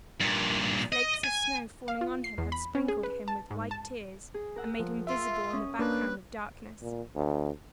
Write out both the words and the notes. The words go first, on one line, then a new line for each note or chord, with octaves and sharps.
The flakes of snow falling on him had sprinkled him with white tears, and made him visible on the background of darkness.
G2 A#2
D#5
G#5
F5
F4
C7
E2
B5
C#4
G#4
B4
A5
G#2
A5
G#4
A#4 F#5 E6
F3
F4 E5
C#4 D#6
A#3 D4 B4
A#2
D2